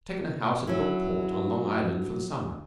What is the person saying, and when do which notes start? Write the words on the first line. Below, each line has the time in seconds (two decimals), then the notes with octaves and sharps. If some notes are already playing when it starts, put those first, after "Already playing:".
I've taken a house at Brookport, on Long Island, for the summer.
0.67 F#3 C#4 E4